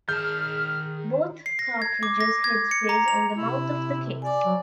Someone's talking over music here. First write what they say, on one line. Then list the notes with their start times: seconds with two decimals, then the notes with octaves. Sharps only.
Both cartridges headspace on the mouth of the case.
0.09 D#3 G#4 A5 F6 G6
1.46 C7
1.59 A#6
1.82 G#6
2.03 D6
2.21 A#6
2.44 G#6
2.71 C#7
2.89 A#5
3.08 F7
3.36 C3 E4
4.22 D5 G#5 D6
4.45 F#3